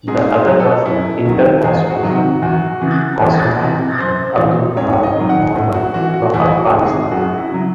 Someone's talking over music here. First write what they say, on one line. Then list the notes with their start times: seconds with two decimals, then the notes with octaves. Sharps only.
The other was Intercosmos cosmonaut Abdul Ahad Mohmand, from Afghanistan.
0.08 G#2 G#4
0.33 C5
0.46 F#3
0.60 A4
0.85 F#2 E4
1.25 D#3 F#3
1.64 E2 G#4
1.90 F#4
2.03 C3 D#3 F#3
2.16 F#4
2.42 E2 F#4
2.81 C#3 E3
3.21 E2 E4
3.59 C3 E3
3.98 F#2 C5
4.38 E3
4.77 G#2 C#5
5.03 D#5
5.16 D#3 F#3
5.29 F#5
5.56 A2
5.74 F#4
5.94 E3 F#4
6.14 F#4
6.34 E2 E4
6.59 F#4
6.72 C3 D#3
6.86 G#4
7.11 F#2 F#4
7.38 E4
7.51 C#3 F#3